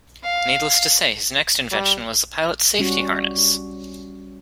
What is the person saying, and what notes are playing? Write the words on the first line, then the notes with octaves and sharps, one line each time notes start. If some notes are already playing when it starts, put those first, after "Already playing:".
Needless to say, his next invention was a pilot's safety harness!
F5
G3
G3 C#4 F#4